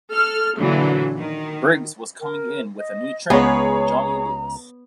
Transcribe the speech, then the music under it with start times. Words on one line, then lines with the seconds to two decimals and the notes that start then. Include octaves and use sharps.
Briggs was coming in with a new trainer, Johnny Lewis.
0.13 A4 F6
0.59 A#2 D3 E3 F#3
1.18 D#3
2.20 A#4
2.78 D#5
3.30 C#2 B3 G#4 C#5 A#5